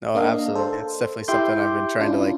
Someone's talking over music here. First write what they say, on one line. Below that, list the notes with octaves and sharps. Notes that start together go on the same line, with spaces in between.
No, absolutely, it's definitely something I've been trying to, like,
A#3 D4 A#4 D#5 F5
A4 C5
E4 G4 E5 C6 D6 G6
C#4 D4 E4 F4